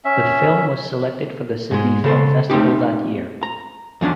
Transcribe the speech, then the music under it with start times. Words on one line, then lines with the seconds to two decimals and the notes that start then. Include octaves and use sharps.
The film was selected for the Sydney Film Festival that year.
0.05 C#4 E5
1.71 G#2 G#3
2.04 C#3 A4 C5
2.50 A3 C4 C#4 D#4 G4
3.43 A#5
4.01 E2 F3 C#4 D4